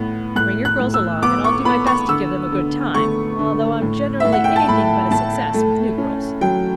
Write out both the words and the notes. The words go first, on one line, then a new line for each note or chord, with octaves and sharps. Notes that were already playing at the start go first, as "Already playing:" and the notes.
Bring your girls along and I'll do my best to give them a good time, although I'm generally anything but a success with new girls.
Already playing: A2 B3
A2 F#6
F#6
A2
E6
B3 D6
C#6
B3 B5
C#6
D3 E6
D3
A3 C#6
D3
A2
A2 E5
F#5
G5
A5
A2 B5
A2 A5
A3
C#4
F#3 G5